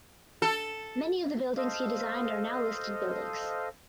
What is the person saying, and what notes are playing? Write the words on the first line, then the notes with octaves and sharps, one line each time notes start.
Many of the buildings he designed are now listed buildings.
A4
A4 C5 D#5 F5